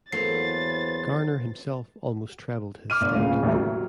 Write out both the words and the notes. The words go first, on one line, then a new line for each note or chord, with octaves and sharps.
Garner himself almost trebled his stake.
E2 F#3 A3 A#3 B4 C5 A6 C7
D6 F6 D#7
G1 D4
D1 A#2 C#3 F5
A1 D#2 G3 A3
F#3